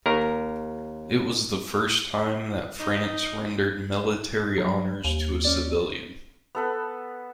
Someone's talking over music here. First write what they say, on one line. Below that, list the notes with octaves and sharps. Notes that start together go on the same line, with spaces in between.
It was the first time that France rendered military honours to a civilian.
D#2 A#4
D#4
F#3
D#2
C#4 D5
B3 A4 B4